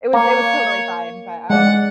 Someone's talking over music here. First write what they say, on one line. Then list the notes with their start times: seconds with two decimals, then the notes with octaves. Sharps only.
it was it was totally fine, but, um,
0.13 A#3 C#5
1.50 G#3 D5 F#5